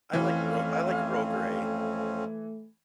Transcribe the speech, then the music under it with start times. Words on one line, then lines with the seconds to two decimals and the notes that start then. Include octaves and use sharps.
I like Earl I like Earl Grey.
0.13 F2 E3 A3 C4 C#4 F5